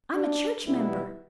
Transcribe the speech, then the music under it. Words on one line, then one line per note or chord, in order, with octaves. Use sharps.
I'm a church member.
D4
B2 G3 B3 E4